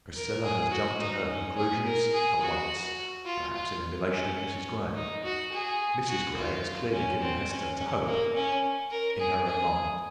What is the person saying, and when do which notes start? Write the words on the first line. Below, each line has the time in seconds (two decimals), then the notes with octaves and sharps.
Priscilla has jumped to her conclusion at once,--perhaps in emulation of Mrs Grey. Mrs Grey has clearly given Hester to Hope, in her own mind.
0.15 A#4
0.43 G#4
0.71 F#4
1.00 D#4
1.28 C#4
1.56 G#4
1.85 A#4
2.13 G#4
2.41 F#4
3.26 F4
3.54 F4
4.10 C#4
4.95 D#4
5.24 F#4
5.52 G#4
6.08 F#4
6.36 F4
6.92 C#4
7.21 C4
7.50 C#4
7.77 C#4
8.06 A#3
8.34 C#4
8.90 A#4
9.19 G#4
9.47 G#4